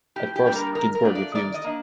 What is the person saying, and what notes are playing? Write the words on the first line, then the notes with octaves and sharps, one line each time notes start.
At first, Ginsberg refused.
A2 G4
G4
G3 A#3 D4
A#4
D#3 A#4
A#4
A3 D4 F4
D5
D#3 D5
D#5
A#3 D4